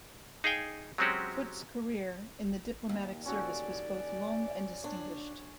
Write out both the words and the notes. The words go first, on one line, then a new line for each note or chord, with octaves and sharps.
Foot's career in the diplomatic service was both long and distinguished.
D#4 G#4 F5 G5 G#5
F#3 G#3 C4 C#4 F#4 G4
D#2
C#4 F#4 A4 D5
D4 C#5